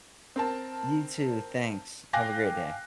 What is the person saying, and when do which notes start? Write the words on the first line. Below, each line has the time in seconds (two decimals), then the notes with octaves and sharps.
You too, thanks, have a great day.
0.36 C4 A#4 A5
2.13 F5 G5 G#5 D6 F#6 A#6